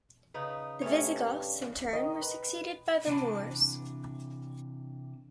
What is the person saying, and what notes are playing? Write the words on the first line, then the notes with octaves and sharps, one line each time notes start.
The Visigoths, in turn, were succeeded by the Moors.
C#3 D#4 B4
G2 A3 C#4 C#5
D#3 D#5
B4
C3 E3 D4 A4 A5 B5